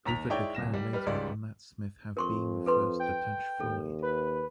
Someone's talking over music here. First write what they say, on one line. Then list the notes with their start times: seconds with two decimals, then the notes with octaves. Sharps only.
Hoover declared later on that Smith have being the first to touch Floyd.
0.05 D#2 A#5 B6 F7
0.29 G#3 D#4 E4 C#5 D5 G5
0.55 D1 C2 A#6 E7
0.74 G3
0.93 G3 B4 F6
1.06 C#2 G#2 G3 D5
2.17 F2 A#4 C6 C#6
2.66 A4 B4 C6
3.00 G5
3.60 D#2 A4
4.02 B4